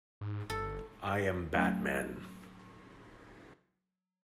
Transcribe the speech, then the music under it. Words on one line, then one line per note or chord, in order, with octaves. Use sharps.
I am Batman!
G#2
G1 A4
F#3 A3 C#4